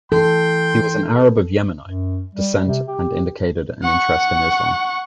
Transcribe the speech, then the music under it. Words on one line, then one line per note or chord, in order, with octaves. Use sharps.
He was an Arab of Yemeni descent and indicated an interest in Islam.
E3 A4 G5 C6
F#2
G3
C3
G4
F#5 C#6